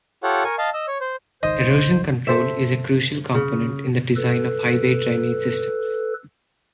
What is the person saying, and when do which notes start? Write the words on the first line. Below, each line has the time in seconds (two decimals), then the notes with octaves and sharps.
Erosion control is a crucial component in the design of highway drainage systems.
0.23 F4 G4 A4 C#5 F#5
0.44 A#4 G#5 C#6
0.58 D#5 F5 A5
0.74 D#5 E6
0.88 C#5
1.01 C5
1.43 G#1 C#2 D#3 C5 D#5
2.27 A4 C5 E5
3.35 C#3
4.16 A4 B4